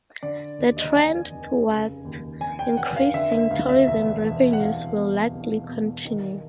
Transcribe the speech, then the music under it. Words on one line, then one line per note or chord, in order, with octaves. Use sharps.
The trend toward increasing tourism revenues will likely continue.
D3 D5
D#2
D#5
F1 G#5
F1
C#3
D#2
F1 G#5
G5
F1 F#5
F5
D3 E5
E5
D2 F5
E5
E1 E5
E1
F#5
C2 F5
B2
C2
B2
D#3